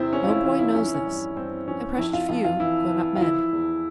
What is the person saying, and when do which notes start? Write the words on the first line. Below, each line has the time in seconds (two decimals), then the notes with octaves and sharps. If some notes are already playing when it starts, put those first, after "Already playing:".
No boy knows this--and precious few grown up men.
Already playing: E2 C3 C4 E4
0.13 E2 C#4
0.24 F4
0.29 E4
0.44 E3 F4
0.59 E4
0.74 F3 C#4
0.84 E4
0.94 C#4
1.06 G2
1.36 G2 C4
1.68 F3 C#4
1.98 F2 E4
2.13 F4
2.29 F2 F4
2.45 F4
2.60 E3 E4
2.90 E3
3.16 F4
3.21 F3 E4
3.53 E2